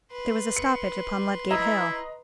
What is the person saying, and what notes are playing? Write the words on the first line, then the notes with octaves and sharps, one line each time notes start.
There was a stoppage upon Ludgate Hill.
B4 C6
C#7
E4 D#5 A#5